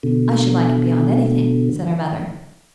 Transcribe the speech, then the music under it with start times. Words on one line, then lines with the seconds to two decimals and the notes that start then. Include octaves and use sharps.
"I should like it beyond anything!" said her mother.
0.03 B2 D3